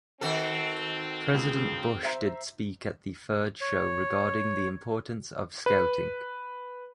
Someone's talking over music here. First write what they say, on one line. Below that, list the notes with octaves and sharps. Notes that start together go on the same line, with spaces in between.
President Bush did speak at the third show regarding the importance of Scouting.
D#3 C4 F#4 A4
C#2 G#4
C5 E5 A#5
C#5
B4